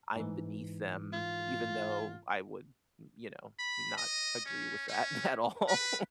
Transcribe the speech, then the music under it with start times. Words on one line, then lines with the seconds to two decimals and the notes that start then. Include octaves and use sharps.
I'm beneath them, even though I would m you know, not agree with that at all.
0.16 G#2 E3
1.13 F4
3.59 B5
3.97 D#5
4.46 C#4
4.88 C#4
5.68 B4